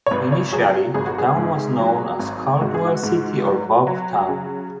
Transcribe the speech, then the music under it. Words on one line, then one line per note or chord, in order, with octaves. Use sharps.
Initially, the town was known as Caldwell City or Bob Town.
C#5
G#1 B4
C#5
F#3 G#4
G#1 G#4
F#4
G#4
G#2
F#3
G#1
G#2 F#4
G#4
F#4
G#2
F#3
F#3
C#3